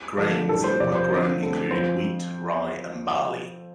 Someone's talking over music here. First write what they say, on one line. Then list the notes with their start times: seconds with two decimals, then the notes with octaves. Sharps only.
Grains that were grown included wheat, rye and barley.
0.18 D3 F3 A3 D4
0.49 A2 G3 D4 A4
0.64 C5
0.80 C3 F3 C4 D5
0.95 C5
1.10 D3 F3 C4
1.41 D3 A3 C4
1.71 F2 F3 C4 C5